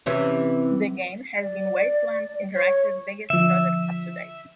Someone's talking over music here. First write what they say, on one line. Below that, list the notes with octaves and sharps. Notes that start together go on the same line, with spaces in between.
The game has been Wastelands Interactive biggest project up to date.
C3 E3 C#4
D5
C#5
D3 F3 E5